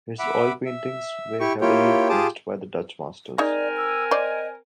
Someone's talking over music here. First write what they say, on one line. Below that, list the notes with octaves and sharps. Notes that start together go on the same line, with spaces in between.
His oil paintings were heavily influenced by the Dutch Masters.
E5 F#5 B5 D6
E5
E4 G4 C#6
A#3 E4 F4 G4 C#5 G5
F4 G4 G#4 A5 D6 D#6
C4 D#4 G#4 A#4 D5 G#5
E6
C5 D5 D#5